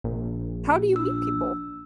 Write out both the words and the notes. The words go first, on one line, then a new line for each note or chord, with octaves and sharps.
How do you meet people?
A#1
D4 E6